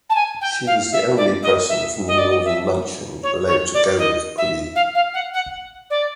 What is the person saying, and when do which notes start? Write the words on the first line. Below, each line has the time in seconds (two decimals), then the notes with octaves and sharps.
She was the only person from the Northern Mansion allowed to go with Puyi.
0.09 A5
0.15 G#5
0.41 G5
0.66 F5
0.92 E5
1.17 D5
1.42 D#5
1.69 E5
2.07 D#5
2.17 D5
2.29 D#5
2.45 E5
3.22 C#5
3.47 C#5
3.73 D5
3.98 D#5
4.37 E5
4.75 F5
4.94 F5
5.13 F#5
5.33 F#5
5.90 D5